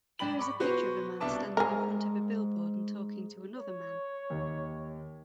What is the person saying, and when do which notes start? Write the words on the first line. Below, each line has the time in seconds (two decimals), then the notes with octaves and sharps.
Here is a picture of a man standing in front a billboard and talking to another man.
0.19 G#2 D5 G5 B5 F#7
0.39 B5 C#6 D6
0.60 B2 F#4 B4 C5
1.20 C2 B2 D4 E5 A5 D6
1.57 G#2 G#4 A#4
3.59 C#5
4.30 D#2